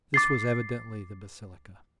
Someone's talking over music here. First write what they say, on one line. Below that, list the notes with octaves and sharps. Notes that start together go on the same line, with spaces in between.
This was evidently the basilica.
D6 A6 C7